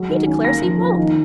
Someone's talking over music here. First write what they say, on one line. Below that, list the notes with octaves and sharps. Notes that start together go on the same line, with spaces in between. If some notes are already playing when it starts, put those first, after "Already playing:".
He declares he won't.
Already playing: F#3 G#3
D#3
C#4
A#3 A#6
F3
F3
D#3